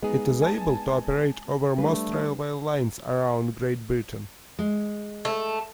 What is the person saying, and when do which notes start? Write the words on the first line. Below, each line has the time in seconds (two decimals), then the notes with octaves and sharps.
It is able to operate over most railway lines around Great Britain.
0.03 G#3 B3 D#4 G#4
0.42 G#5 A5
1.78 G3 A3 D4 B4
4.59 G#3
5.25 A3